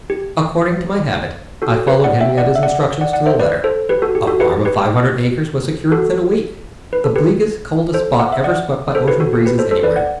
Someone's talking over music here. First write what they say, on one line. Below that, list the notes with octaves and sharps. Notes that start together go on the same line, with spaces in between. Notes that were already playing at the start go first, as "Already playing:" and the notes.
According to my habit I followed Henriette's instructions to the letter. A farm of five hundred acres was secured within a week, the bleakest, coldest spot ever swept by ocean breezes anywhere.
G4
F#4 A4
G4 B4
D5 F#5
E5 G5
D5 F#5
E5
D5 F#5
D5 F#5
D5 F#5
C5 E5
B4 D5
A4 C5
G4 B4
F#4 A4
G4
F#4 A4
G4 B4
G4 B4
F#4 A4
B4
A4
G4 B4
A4 C5
F#5
E5
D5 F#5
A4 C5
G4 B4
F#4 A4
G4
G4 B4
A4 C5
A4 C5
B4 D5
D5 F#5